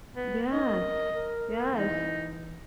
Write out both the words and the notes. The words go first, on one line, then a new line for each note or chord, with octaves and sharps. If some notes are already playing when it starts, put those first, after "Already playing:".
Yes. Yes.
B3
D#4 D#5
A#4
A#4
E3 D#4